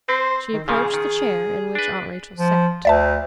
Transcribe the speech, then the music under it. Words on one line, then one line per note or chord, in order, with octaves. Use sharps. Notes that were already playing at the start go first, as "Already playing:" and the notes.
She approached the chair in which Aunt Rachel sat.
C4 C5
D#3
A#2 C#3 F3 G#4
D#3
D4 B4
F3
D2 D5 E5 A5